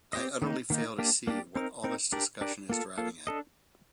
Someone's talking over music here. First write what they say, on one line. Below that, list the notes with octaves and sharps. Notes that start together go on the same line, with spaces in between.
I utterly fail to see what all this discussion is driving at.
C4 G4 C5 D#5
D#3 A#3 D#4
D#3 A#3 D#4
A#3 D4 G4 D5
A#3 D4 G4 D5
C4 D#4 A#4
C4 D#4 A#4
D4 G4 A#4 D5
D4 G4 A#4 D5
A#3 F4 A4
A#3 F4 A4
D4 A4 D#5